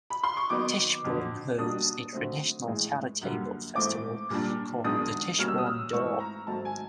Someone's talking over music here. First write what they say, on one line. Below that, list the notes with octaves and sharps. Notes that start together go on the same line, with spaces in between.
Tichborne holds a traditional charitable festival called the Tichborne Dole.
B5
C6
C#6
D#3 F#3 B3 D#4 D6
F2 D3 F#3
B2 G3 A#3 D4 D#6
D3 F#3 A3 C4
A2 E3 G#3
F#2 D3 G3 A#3
G#2 E3 A3 C4 D6
A#2 G3 A#3 D4
F#2 D#3 G#3 B3 D4 D#6
B2 G3 A#3 C#4 F6
E6
D#6
E6
G#2 E3 A3 C4 C#6
A#5
G#2 D#3 F#3 A3 C4 A5
G#5